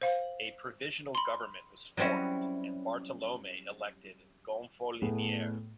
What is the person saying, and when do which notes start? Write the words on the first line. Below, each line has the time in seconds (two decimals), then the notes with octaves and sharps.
A provisional government was formed and Bartolommei elected "gonfaloniere".
0.01 C5 F5
1.15 B5 C6
1.97 F#3 G3 C4 C#4 E4
5.02 A2 A3 B3 G#4